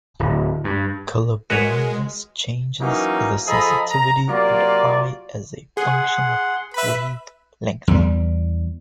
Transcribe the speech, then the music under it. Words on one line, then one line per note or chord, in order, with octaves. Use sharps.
Color blindness changes the sensitivity of the eye as a function of wavelength.
D1
G2
G#3 F#4 A#4 B4 C#5
E3 F#3 A#3 C#4 D#4
F3 G#4 A4 D#5 A#5 B5
A#5
C3 F#3 A#3 F4 D5
G#4 F#5 C6
B4 E5 B5
E2 G3